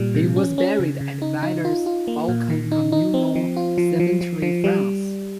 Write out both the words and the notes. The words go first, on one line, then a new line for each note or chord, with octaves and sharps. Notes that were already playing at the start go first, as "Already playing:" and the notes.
He was buried at Villers-Faucon Communal Cemetery, France.
Already playing: A#2 G3
C3
C#4
C#4
C#3
C#3
D#4
D#4
F4
F4
A#3
A#2
D#3
D#4
D#4
C4
F3
F4
F3
F3
F3
F3
G3